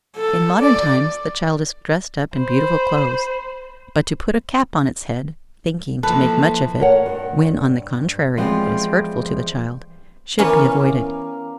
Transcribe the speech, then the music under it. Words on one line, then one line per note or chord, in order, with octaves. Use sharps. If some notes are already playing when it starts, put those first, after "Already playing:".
In modern times the child is dressed up in beautiful clothes; but to put a cap on its head, thinking to make much of it, when, on the contrary, it is hurtful to the child, should be avoided.
A4
D5
C5 B5
E3 F3 A#3 A4 B4 A5
A#4 C#5 F#5
G2
E3 F3 G3 G#3 B3 C4
E3 B3 C#4 A#4 D5 F5